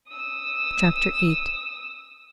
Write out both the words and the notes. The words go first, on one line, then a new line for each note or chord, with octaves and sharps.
Chapter VIII.
D#6 E6